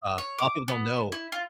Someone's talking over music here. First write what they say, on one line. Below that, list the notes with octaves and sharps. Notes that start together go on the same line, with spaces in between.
Uh, lotta people don't know
C#5
D6
B3
E4
F4